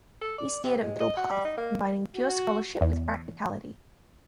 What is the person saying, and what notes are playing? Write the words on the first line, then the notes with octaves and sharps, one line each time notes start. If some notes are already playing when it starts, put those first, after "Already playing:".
He steered a middle path, combining pure scholarship with practicality.
A4
D5
C3
G#3
D#5
F#4
G3
D#4
A#3
F#4
E2